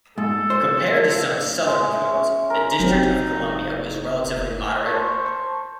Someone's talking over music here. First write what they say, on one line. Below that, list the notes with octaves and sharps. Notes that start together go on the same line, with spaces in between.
Compared to some southern codes, the District of Columbia was relatively moderate.
G#2 A4
C5
G#3
E5
C#4
A#4
F#1 F#3 C4 D#4
C5 A5 C#6